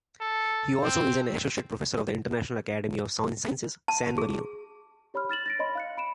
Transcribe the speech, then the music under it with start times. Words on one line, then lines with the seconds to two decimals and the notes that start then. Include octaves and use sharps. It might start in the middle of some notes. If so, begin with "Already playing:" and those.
He also is an associate professor of the International Academy of Sciences San Marino.
0.21 A4
0.83 C4
3.88 A5
4.18 G#4
5.14 G4 C#5 B5 C6 F6
5.29 F6 A6 E7 F#7
5.46 A6 A#6 D7
5.59 C#5 D#5 B5 C6
5.75 F5 F#6 C#7
5.97 B5 D7 E7